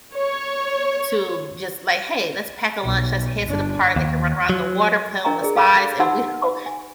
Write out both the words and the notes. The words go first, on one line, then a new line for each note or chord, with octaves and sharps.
to just like, "Hey. Let's pack a lunch. Let's head to the park." They can run around the water, play on the slides, and we don't
C#5
B1
G1 D4
D#2
F#3
D4 A#4 D#5 G5 A#5 C#6
G#4 A#4 D5
A4 F5 A5 B5 D6
D#4 G4 F#5 A5 C6 E6
G#5